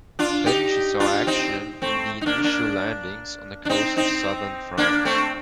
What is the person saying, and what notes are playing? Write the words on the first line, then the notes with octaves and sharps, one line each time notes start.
Then she saw action in the initial landings on the coast of southern France.
D4 F4
D#4 G4
D4 F4
C4 D#4
A3 C4
D#4
A#3 D4
A#3 D4
D4
C4 D#4
C4 D#4
A#3 D4
A3 C4